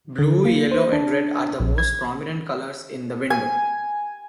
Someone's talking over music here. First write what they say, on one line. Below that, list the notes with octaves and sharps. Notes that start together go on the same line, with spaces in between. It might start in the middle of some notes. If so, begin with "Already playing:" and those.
Blue, yellow and red are the most prominent colours in the window.
D3
A#3
C5
D4
A#1
G#6
G#5